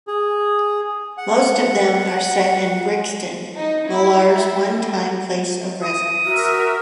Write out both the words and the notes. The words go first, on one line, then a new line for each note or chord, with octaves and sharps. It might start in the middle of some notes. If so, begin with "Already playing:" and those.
Most of them are set in Brixton, Millar's one-time place of residence.
G#4
F#5
D#4
E4
E5
D#6
F#4 A#4 E5